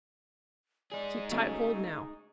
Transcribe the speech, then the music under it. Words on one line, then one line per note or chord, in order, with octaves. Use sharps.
Keep tight hold now.
D#4 G#4 D5
C#3 F#3 A3 D#5